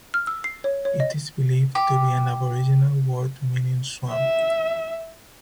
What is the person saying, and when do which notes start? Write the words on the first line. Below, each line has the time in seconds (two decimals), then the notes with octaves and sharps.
It is believed to be an Aboriginal word meaning "swamp".
0.14 F6
0.27 E6
0.44 C7
0.64 C#5
0.85 C#5
1.00 D#5
1.75 G4 D6
4.10 E5